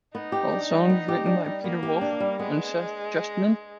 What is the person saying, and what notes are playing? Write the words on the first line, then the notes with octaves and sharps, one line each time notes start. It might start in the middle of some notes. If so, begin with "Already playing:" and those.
All songs written by Peter Wolf and Seth Justman.
B3 D#4
G4
D4
G3
B3
G4
D4
G3
A#3 B3
G4
D4
G3
G#3 B3